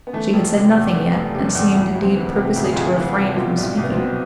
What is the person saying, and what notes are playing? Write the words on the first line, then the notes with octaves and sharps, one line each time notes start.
She had said nothing yet, and seemed, indeed, purposely to refrain from speaking.
B3
E3 A3
F1
C3
E2
E3
F1
C3
E2
D2
D2
C4
E3
C3
D2
G#4
F4
D2
G#4
E3
C3
B2 F4
C2
E4
C2
B3
C4
B2